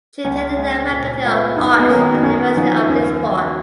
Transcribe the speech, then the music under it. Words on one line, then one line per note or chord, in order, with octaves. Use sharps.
She attended the Faculty of Arts at the University of Lisbon.
C#2 C#4
C#3 G#3
A#2
G#3 B3 F4
F#2 D#4
B3
D#3 F#3 A#3 C#4
F#2 C#4
C#3 F3 D#4
D#2 C#4
C#3 F#3